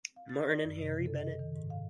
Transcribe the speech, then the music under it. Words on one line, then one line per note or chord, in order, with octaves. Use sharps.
Martin and Harry Bennett.
F5
A6
D5
F#2
C3
C#3
A4
D#5
D#3
G#2
F5